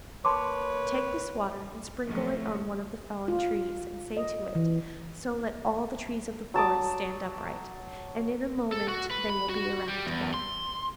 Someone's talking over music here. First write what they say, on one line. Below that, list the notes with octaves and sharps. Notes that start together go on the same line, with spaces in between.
'Take this water and sprinkle it on one of the fallen trees, and say to it: "So let all the trees of the forest stand upright," and in a moment they will be erect again.'
A#3 B4 C#5 A5 C6 D6
A2 C3 F3 F#3 A3 C#4
F4
D#5
E3
F#3 A5 D6 D#6
A4
F#4
B4
B5
F#4
G3
E2
C6